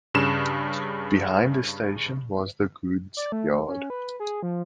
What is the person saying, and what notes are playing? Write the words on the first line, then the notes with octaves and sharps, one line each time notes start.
Behind the station was the goods yard.
G2 C#3 E7
D5
A3
C#4
B4
G#4
F3